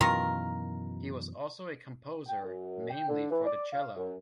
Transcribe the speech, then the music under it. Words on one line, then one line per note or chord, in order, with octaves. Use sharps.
He was also a composer, mainly for the cello.
F#2 B2 D#3 E3 F4 A#4
G5
F#2
G5
D3
E3
D5
F5
F#2